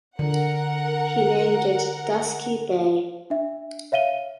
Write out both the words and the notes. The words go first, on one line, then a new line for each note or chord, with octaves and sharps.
He named it Dusky Bay.
D3 A#4 F#5
D4 E5
C#5 E5 F5 D#7 G7